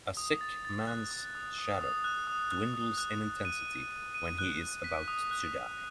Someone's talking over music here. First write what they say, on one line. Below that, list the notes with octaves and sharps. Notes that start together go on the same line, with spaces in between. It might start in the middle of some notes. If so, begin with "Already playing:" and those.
A sick man's shadow dwindles in intensity when he is about to die.
D#6
A6
A6
F#6
D#6
D#6
D#6
D#6
F#6
D#6
F#6
D#6
F#6
D#6
D#7
D#7
D#7
D#7
F#6
F#6
B6
D#6
F#6
B6